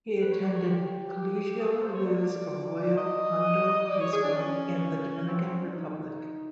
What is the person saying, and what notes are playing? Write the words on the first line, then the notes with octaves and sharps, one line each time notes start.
He attended Colegio Luz Arroyo Hondo High School in the Dominican Republic.
B4
C#5
D5
C#5
G4
G#4
A4
C5
C#5
D5
D#5
D5
C#5
G#4
D4
C#4
C4
C4
C#4
D4
D#4